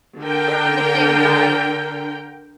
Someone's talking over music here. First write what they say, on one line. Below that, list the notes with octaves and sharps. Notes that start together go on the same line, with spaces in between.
We're on the same vibe.
D3 A#4 G5